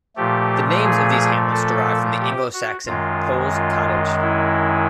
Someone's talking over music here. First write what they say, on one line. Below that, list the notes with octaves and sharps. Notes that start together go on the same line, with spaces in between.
The names of these hamlets derive from the Anglo Saxon "Pol's Cottage".
A#2 F3 A3 G4
G#4
A4
G4
F#4
F#2 D#3 G#3 F4
F4
E4